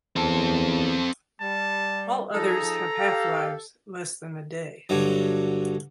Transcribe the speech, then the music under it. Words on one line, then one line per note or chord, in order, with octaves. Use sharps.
All others have half-lives less than a day.
E2 C4 A4
G3 A5
F3 D#4 G#4 A4 A#5
G4 F5
G2 D3 F#3